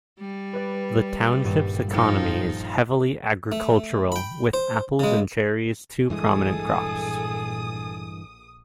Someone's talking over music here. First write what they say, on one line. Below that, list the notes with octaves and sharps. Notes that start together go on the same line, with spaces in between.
The township's economy is heavily agricultural, with apples and cherries two prominent crops.
G3
B4 D5
D#1 G2
F3 D#4 F4 A4 G5 F6
A3
G5 B5
C5
C#3 G#3
A#1 G2 E3 G#3 G#4 A4 D#6